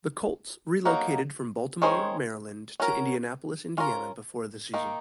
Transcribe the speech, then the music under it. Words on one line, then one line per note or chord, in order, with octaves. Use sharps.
The Colts relocated from Baltimore, Maryland to Indianapolis, Indiana before the season.
F#3 A#3 D#4 F#4 A#4
D#3 G#3 C#4 G#4 C5
C#4 F#4 A#4
C#4 F4 A#4
D#3 A#3 D#4